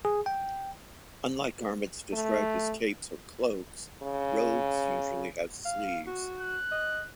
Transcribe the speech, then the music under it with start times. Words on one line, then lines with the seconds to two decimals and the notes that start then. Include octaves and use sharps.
Unlike garments described as capes or cloaks, robes usually have sleeves.
0.05 G#4
0.26 G5
2.13 A3
4.03 C#3
5.65 F5
6.06 F#4
6.41 F#6
6.71 D#5